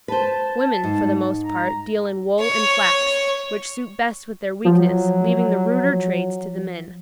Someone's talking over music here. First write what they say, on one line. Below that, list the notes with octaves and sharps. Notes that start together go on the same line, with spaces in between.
Women, for the most part, deal in wool and flax, which suit best with their weakness, leaving the ruder trades to the men.
B4 C5 A5
G#2
A#5
C#5
F3 F#3